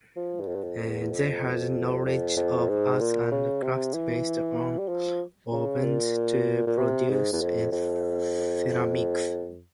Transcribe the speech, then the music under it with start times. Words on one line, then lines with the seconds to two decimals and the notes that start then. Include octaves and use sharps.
They had a knowledge of arts and crafts based on ovens to produce ceramics.
0.16 F3
0.40 G2
0.47 F2
0.55 G2
0.63 F2
0.87 E2
1.11 F2
2.05 F2
2.36 F2
2.69 G#2
3.00 A#2
3.31 C#3
3.63 C3
3.94 E3
4.79 G3
4.88 F3
5.52 C#3
5.84 A#2
6.67 A#2
6.78 C3
7.09 G#2
7.33 E2
7.41 F2
7.72 F2